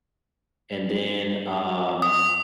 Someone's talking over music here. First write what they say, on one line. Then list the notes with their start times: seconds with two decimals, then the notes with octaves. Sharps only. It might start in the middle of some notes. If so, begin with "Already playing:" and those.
and then, um,
2.02 D#6